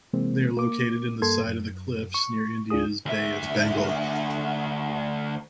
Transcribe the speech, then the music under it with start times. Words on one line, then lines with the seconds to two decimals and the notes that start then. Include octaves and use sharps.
They are located in the side of the cliffs near India's Bay of Bengal.
0.13 C3 E3 G#3 A#3 C4
0.57 A#3 D6
1.22 G2 A#3 A4 C6 G#6
1.47 F#2
2.14 C#6
2.70 D2 D4 F4 G#4 D#6
3.06 D2 E5